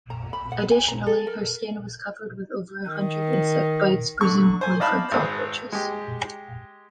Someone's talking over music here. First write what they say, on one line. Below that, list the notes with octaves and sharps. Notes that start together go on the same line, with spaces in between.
Additionally, her skin was covered with over a hundred insect bites, presumably from cockroaches.
A#5
B5
F#5
G#5
A#5
A4
A#4
D#3
D3 C#6
C5 G#5
D5 D#5 F5 A5 B5
G#1 G#4 B4 C5
G#3 G4